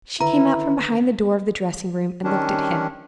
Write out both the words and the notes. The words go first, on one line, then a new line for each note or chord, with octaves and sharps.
She came out from behind the door of the dressing room, and looked at him.
D3 D#3 E4 B4 A#5
D#3 G3 C#4 D4